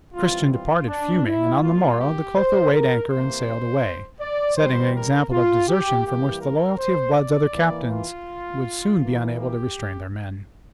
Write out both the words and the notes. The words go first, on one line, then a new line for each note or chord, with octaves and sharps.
Christian departed fuming, and on the morrow the Clotho weighed anchor and sailed away, setting an example of desertion from which the loyalty of Blood's other captains would soon be unable to restrain their men.
E3 G3 C4 F4
F4
D4
E4
A#2 G3 A#3 F4
G4
C5
A#4
C3 E3 A#3 C5
D5
E3 G3 C4 C5
A#4
F4
G4
E3 G3 A#3 G4
A#4
C5
D5
E3 A#3
F4
E3 A#3
G4